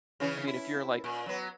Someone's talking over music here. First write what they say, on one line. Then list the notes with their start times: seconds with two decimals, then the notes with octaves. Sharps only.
I mean, if you're like
0.20 C#3 E3 C#4
0.47 E4
1.04 A#2
1.26 F#3 B3